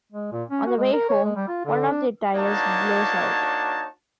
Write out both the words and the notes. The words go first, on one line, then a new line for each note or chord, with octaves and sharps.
On the way home, one of their tires blows out.
G#3
A#2
C#4
F#4
G#3
A#4
C#5
G#3
G3
F4
D3
D4
A#3 D4 D#4 F#4 C#5 A5